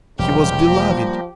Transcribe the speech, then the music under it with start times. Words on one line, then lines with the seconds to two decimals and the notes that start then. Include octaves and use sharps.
He was beloved.
0.19 E1 C#2 F3 G3 G4
0.67 F3 G3 A#3